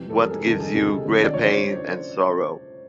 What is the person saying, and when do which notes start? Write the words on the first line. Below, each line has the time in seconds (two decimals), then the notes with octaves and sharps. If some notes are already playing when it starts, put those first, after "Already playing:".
What gives you greater pain and sorrow?
Already playing: F2 C3 E3 G3
0.10 A4
0.17 F2 C3 E3 G3 A#4
0.31 G#4
0.46 C#2 C3 D#3 G3 A4
0.60 G#4
0.75 C#2 C3 D#3 G3 A4
1.04 F#2 D3 F3
1.24 D5
1.33 D3 F3 C#5
1.43 C5